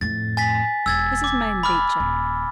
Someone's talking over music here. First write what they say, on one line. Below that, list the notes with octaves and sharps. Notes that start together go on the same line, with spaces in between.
This is Mame Beecher.
F2 A2 A6
G#5 A6 B6
E1 E6 G#6 A6
D6
B5 D6 F6
D#1